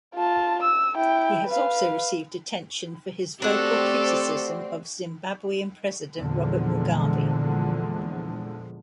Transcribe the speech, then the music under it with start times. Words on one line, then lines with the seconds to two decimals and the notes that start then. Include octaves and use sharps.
He has also received attention for his vocal criticism of Zimbabwean president Robert Mugabe.
0.15 F4 A5
0.63 E6
0.96 E4 G5
1.47 B4 F5
3.42 A3 C4 D4 F#4 G4 A4
6.18 E2 A#2 D3 F3 G#3